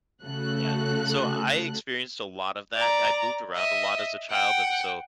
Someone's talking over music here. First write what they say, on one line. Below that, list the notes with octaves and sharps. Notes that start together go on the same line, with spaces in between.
Yeah, so I experienced a lot of that. I moved around a lot as a child and so,
C#3 A3 F#4 A4 F#6
D5 A#5
D#5 E5
F#5 G5